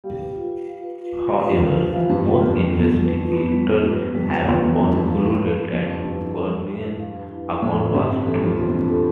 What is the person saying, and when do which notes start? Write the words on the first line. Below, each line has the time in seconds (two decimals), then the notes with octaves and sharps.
However, most investigators have concluded that Gurney's account was true.
0.04 G3 F5
0.20 B4
0.36 F4
0.52 F4
0.68 F5
0.83 B4
0.99 F4
1.15 F4
1.30 G3 F5
1.46 B4
1.51 F3
1.62 F4
1.73 F3
1.78 F4
1.93 E3 F5
2.09 G2 B4
2.25 F2 F4
2.41 E2 F4
2.57 F2 F4
2.73 B3
2.78 E2
2.88 G3
2.99 F2
3.05 B4
3.20 F4
3.36 B3
3.51 G3
3.68 B4
3.83 G2 F4
3.99 B3
4.15 F2 G3
4.30 B4
4.46 E2 F4
4.62 E2 B3
4.78 F2 G3
4.93 G2 B4
5.09 F5
5.26 B4
5.41 E4
5.58 E4
5.73 F2 F5
5.89 B4
6.05 G2 E4
6.21 E4
6.36 F5
6.52 B4
6.67 E4
6.84 E4
6.99 F5
7.15 B4
7.31 E4
7.46 E4
7.62 A2 A4
7.79 F4
7.94 G2 C4
8.10 C4
8.26 E3 A4
8.42 F3 F4
8.57 B2 C4
8.68 F2
8.73 E2 C4
8.89 A4